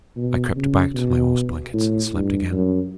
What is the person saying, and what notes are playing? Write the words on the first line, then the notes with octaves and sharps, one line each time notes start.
I crept back to my horse blankets and slept again.
B2
C#3
B2
A2
G2
F#2